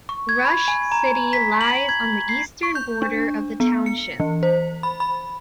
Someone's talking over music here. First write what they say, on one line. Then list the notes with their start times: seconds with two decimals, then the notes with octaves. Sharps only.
Rush City lies on the eastern border of the township.
0.09 C#6
0.29 G#6
0.45 B5
0.68 G#5
0.92 A#5
1.33 B6
1.61 F#7
1.89 G#6
2.29 C7
2.63 C#6
2.75 G6
3.02 D4
3.60 B3
3.86 C#7
4.20 E3
4.43 C5
4.83 B5
5.00 B5